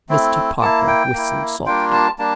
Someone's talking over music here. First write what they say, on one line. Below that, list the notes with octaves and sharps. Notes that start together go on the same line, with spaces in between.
Mr. Parker whistled softly.
A3 C4 E4
A#3 E4 A5
G5
A#3 E4
G3 A#3 D4 F4 G5
A5
G3 A#3 D4 A5